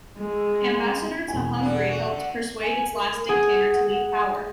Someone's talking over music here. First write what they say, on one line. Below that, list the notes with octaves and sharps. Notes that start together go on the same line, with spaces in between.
Ambassador to Hungary helped persuade its last dictator to leave power.
G#3
E1 E4 G#5
D3 G3 D4
F#4
D3
G#5
A#4
G#4 F#5